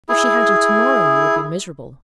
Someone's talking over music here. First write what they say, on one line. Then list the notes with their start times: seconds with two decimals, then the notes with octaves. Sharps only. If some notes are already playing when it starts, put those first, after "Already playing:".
If she had you to-morrow, you would be miserable.
0.09 E4 G#4